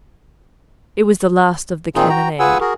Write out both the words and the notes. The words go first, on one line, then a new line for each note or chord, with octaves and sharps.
It was the last of the cannonade.
A#2 D#3 C4 D#4 F4 G#4
F#4 G5 A#5
F4 G#4 B4 F#5 G#5 E6
F#4 G#4 A#4